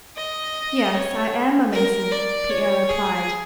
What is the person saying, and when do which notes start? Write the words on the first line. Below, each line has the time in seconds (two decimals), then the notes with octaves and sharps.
"Yes, I am a Mason," Pierre replied.
0.17 D#5
0.94 C#5
1.72 A#4
2.12 D5
2.50 C#5
2.89 G#4